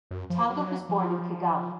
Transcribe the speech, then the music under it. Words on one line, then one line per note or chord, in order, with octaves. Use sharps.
Tanga was born in Kigali.
F#2
F3
F#3
F3